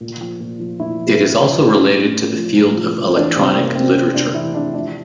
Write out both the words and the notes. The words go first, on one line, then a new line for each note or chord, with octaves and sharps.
It is also related to the field of electronic literature.
A#2
F3
A#2
F3
A#2 E4
F3
A#2
F3
F3 D4
A2
A2
A2
F3
A2
F3
F3
E3 D4
C3 C4
C3 A#3
C3 C4
C3
C3 D4
E3 E4
C3 D4
F3 D4